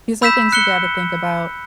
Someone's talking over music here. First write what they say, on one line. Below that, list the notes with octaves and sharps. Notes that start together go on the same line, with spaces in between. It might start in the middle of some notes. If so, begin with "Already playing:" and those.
these are things you gotta think about.
B5 E6 G6 B6 E7
F#6 C#7 G7